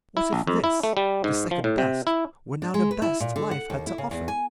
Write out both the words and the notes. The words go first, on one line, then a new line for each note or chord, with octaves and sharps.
What if this, the second best, were now the best life had to offer?
E4
A#1
F2
E4
A3
G3
G#2
F3
A2
C3
E4
D4
G#3
B4
E4
A#2
D3
F#5
D#2
E4
C#3
E2
G#5